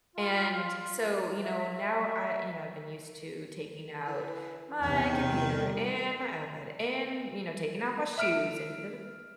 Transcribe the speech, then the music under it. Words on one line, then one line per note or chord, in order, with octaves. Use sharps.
and so, you know, now I you know, I've been used to taking out my computer and my iPad and, you know, taking off my shoes and
F4
E5
E3
E2 C3 D#3
G3
E5 F6 D7